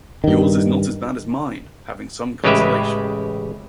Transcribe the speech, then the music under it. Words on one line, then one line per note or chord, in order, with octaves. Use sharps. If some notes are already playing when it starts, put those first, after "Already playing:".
Yours is not as bad as mine, having some consolation.
G2 D#3
A1 C#3 G#3 G4 B4 E5